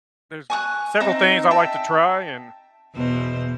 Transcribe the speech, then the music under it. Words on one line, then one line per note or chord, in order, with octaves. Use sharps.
there's several things I like to try, and,
G#5 C#6 D#6 F#6
C4 D#4 E5 A#5
E5 G5 A5
E2 B2 C5